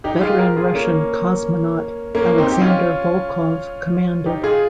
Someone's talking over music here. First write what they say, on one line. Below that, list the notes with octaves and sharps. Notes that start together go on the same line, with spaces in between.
Veteran Russian cosmonaut Alexandr Volkov commanded.
D#4 G4
F4 G#4
G4 A#4
F4 G#4
A#3 C#4
A#3 C#4
C4 D#4
G4
C#4 F4
D#4 G4
F4 G#4